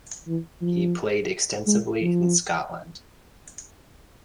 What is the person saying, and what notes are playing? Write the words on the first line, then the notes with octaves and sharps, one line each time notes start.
He played extensively in Scotland.
E3
F3
G#3
F3